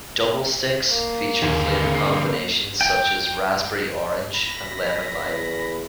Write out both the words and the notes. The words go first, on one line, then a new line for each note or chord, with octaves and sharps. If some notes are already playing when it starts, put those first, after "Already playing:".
"Double stix" featured flavor combinations such as raspberry-orange and lemon-lime.
A#3
D#2 D3 G#4
C7
G5
B5 A#6
E2